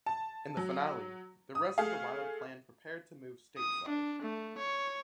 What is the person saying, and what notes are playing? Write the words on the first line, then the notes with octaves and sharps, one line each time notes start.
In the finale, the rest of the Wild clan prepared to move stateside.
A5
F#3
D#6
A3 G#4 F5
D#6
D4
A3
C#5